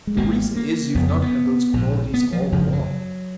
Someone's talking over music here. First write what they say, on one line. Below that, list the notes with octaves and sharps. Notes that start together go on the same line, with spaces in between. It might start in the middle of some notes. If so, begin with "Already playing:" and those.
The reason is you've not had those qualities all along.
G#3
G#1 G#2 A#3
A#3
F#1 F2 C#3 B3
B3
B3
A#1 G#2
B3
F3
F#3
G#1 F#2 C#3 F3
F#3